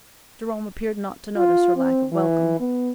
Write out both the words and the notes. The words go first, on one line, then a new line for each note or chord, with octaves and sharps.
Jerome appeared not to notice her lack of welcome.
F4
C4
E3
B3